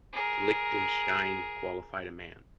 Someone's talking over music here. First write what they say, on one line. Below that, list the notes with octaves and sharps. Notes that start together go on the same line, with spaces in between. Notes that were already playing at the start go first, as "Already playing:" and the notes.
The Liechtenstein qualified a man.
G#4 A#4